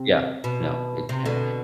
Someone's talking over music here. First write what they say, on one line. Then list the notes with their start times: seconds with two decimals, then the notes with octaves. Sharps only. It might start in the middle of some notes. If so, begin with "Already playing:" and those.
Yeah. No. It can't.
Already playing: C3
0.44 B2
1.09 C3
1.25 B2 D3